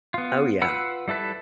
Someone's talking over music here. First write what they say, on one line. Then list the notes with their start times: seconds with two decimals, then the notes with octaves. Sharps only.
Oh, yeah.
0.14 B3 F4
0.61 F4 B4 F#5 B5 E6
1.08 G3 E4 A4 B4 E5